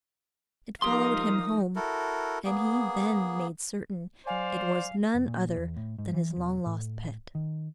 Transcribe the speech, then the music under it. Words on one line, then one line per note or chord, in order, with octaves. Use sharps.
It followed him home, and he then made certain it was none other than his long-lost pet.
F3 D#4 G4 A#4 F5 C6 D#6
E4 F#4 A4 A#4
A#3 B3 G#4
F#3 C5 D5 F5 G#5
F1
A#2
E2
A2
G#2
E3
E1
A2
D#3